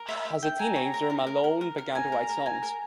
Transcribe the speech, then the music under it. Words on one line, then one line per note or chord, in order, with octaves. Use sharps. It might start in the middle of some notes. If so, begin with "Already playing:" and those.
As an teenager, Malone began to write songs.
Already playing: A#4
E5
E5
G5
G#5 A#5
C#5
A#4
A#4
A#4
A#4
A#4
A#4
G#5 A#5
A#4
A#4
G#5
A#4